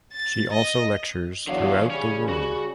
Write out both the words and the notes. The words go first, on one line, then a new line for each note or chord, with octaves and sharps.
She also lectures throughout the world.
A6
D#5
E2 D3 F#3 D4 F5
C#3 G3 C#4
F#4